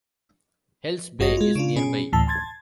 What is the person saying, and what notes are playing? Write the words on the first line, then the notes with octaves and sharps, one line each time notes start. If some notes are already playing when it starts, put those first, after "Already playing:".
Hells Bay is nearby.
G#1 G2 F#4 C#5 D#5 A#6
G#3 F4
C#3 D4 F4
B2 C#4 G#4
D2 A2 E3 A5 E6
A5 C6 G#6 A6